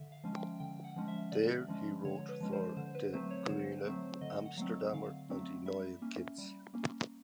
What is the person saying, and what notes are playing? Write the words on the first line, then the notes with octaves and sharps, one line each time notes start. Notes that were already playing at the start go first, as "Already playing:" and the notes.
There he wrote for De Groene Amsterdammer and De Nieuwe Gids.
Already playing: D3 E5
F5
F3 G#3 C#4
G5
D3 G5
F#5
F3 G#3 C#4
E5
D3 D5
F3 G#3 C#4
D3 C#5
B4
F3 G#3 C#4
C5
D3 C5
B4
F#3 A3 C4 C5
C#5
D3 C5
F#3 A3 C4 C5
D3 D#5
F#5
F#3 A3 C4 F5
D3 F5
F#3 A3 C4
G3 E5
A#3 C#4
G3
A#3 C#4